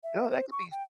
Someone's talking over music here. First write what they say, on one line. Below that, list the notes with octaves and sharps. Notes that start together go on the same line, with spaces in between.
No, that could be f
E5
C5
C#6
G5